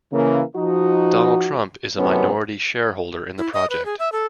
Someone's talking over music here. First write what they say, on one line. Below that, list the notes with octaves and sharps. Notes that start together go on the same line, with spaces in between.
Donald Trump is a minority shareholder in the project.
C#3 E3 A#3
F3 D#4 F#4
F#2 A2 C3 D#3 B3 C#4
E4
D#5
B4
G#4
E5
A4